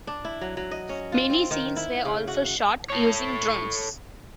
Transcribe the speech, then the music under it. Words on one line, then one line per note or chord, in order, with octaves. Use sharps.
Many scenes were also shot using drones.
D4
E4
F#3
F#3
D#5
C#4
F4
C4
D#3
E4
C#3
F#4
A4 C#5